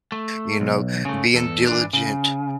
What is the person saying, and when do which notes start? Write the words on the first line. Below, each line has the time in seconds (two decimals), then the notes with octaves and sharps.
you know, being diligent.
0.12 A3
0.60 B1
1.05 C#3 A3
1.34 E2 A4
1.67 E3 D4
1.93 C#3